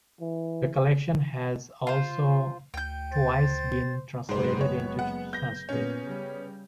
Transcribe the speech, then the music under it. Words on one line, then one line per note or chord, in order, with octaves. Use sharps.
The collection has also twice been translated into Sanskrit.
E3
F4 C5
D2 G5 G6
C5 A6
F#1 G#2 G#3 B3 C5
C#5
F#5
G6 A#6
A#2 B3 C#4
C#3 G3